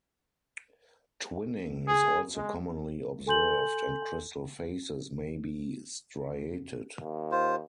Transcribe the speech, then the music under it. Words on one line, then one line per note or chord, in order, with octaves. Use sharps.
Twinning is also commonly observed and crystal faces may be striated.
G#4
G#3
A4 G#5 C6 G6 F#7
D#2
F4 C5